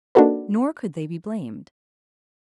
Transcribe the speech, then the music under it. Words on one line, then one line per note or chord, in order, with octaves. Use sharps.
Nor could they be blamed.
A#3 D4 D#4 F#4 A4 B4